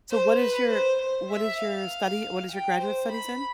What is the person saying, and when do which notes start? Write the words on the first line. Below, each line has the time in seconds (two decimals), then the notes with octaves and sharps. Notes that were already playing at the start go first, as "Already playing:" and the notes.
So what is your what is your study; what is your graduate studies in?
0.11 C5
0.41 B4
0.71 C5
1.02 C5
1.31 E5
1.61 F5
2.52 G5
2.82 C5
3.12 B5